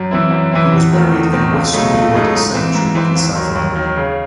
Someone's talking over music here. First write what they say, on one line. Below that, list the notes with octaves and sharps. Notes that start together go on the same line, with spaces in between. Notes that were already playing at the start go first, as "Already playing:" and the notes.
He was buried in West Norwood Cemetery in south London.
Already playing: F#2
E3 C4 E4
F#2
E3 C4 E4
E2
D#3 A3 C4
E2
D#3 A3 C4
C#2
C#3 F#3 A3 D#4
C#2
C#3 F#3 A3 D#4
G#2
E3 C4
G#2
E3 C4
D#2
D#3 F#3
D#2
D#3 F#3
C#3